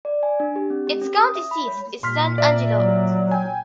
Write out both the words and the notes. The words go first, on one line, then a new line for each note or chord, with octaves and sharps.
Its county seat is San Angelo.
D5
G#5
D4
G4
C4
G4
C#4
D#6
E5
B5
C#5
A#2 C6 F6 B6
D5 E5 A#5
F#3
G5 G#5